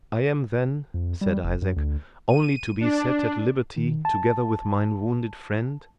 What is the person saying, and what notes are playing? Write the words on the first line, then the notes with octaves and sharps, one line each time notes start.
"I am, then," said Isaac, "only to be set at liberty, together with mine wounded friend?"
F2
G3
F1
F#2
D2
D#7
D4
D#3
A5